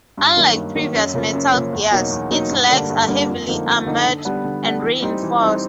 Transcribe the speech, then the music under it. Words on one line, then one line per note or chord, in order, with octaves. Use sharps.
Unlike previous Metal Gears, its legs are heavily armored and reinforced.
G2
D#3 F#3 A#3
G2
D#3 F#3 A#3
F#2
C#3 F3 A#3
F#2
C#3 F3 A#3
E2
B2 F#3 A#3 D#4
E2
B2 F#3 A#3 D#4
G2
D3 G3 A#3 D4
G2
D3 G3 A#3 D4
F2
D3 F3 A#3 D#4
F2
D3 F3 A#3 D#4
D3
G3 B3 D4
D3
G3 B3 D4
E3
G3 C4 D#4
E3
G3 C4 D#4